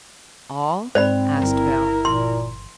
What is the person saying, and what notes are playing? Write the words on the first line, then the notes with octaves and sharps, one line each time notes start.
"All?" asked Bell.
G#2 C4 C5 D5 B5
G1 E4 A#4
A#2 C6